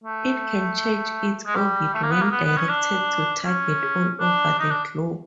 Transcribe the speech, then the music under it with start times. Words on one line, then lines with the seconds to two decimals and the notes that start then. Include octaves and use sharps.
It can change its orbit when directed to target all over the globe.
0.04 A3
1.46 G#3
1.55 G3
1.94 A3
2.03 A#3
2.12 B3
2.22 A#3
2.31 B3
2.44 B3
2.57 C#4
2.69 D4
3.45 C#4
4.20 D4
4.59 D#4
4.71 D4